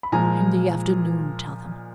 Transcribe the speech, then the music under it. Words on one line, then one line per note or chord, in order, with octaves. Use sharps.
'In the afternoon, tell them.
B5
A#2 F3 G#3 G#5 A#5